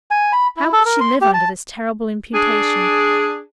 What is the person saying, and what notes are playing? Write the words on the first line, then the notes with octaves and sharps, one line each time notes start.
How could she live under this terrible imputation?
G#5
B5
E4
A4
A#4
C6
G4
A5
D4 G#4